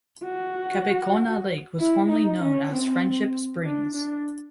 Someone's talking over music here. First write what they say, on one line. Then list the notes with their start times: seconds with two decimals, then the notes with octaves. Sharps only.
Kabekona Lake was formerly known as "Friendship Springs".
0.24 F#4
1.79 E4
2.09 D#4
2.41 C#4
2.72 C4
3.64 D4
3.95 D4